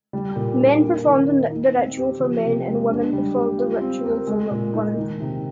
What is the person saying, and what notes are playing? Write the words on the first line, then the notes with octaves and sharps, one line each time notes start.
Men performed the ritual for men, and women performed the ritual for women.
G3
A#2
D4
A#3
D#3
D#4
D#4
C4
G4
F3
C3
G#3
D4
G3
G4
F4
C4
A#4
G#3
A#2
D#4
D#3
C3